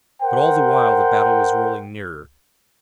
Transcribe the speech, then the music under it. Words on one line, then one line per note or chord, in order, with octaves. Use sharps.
But all the while the battle was rolling nearer.
A#4 C5 F#5 G5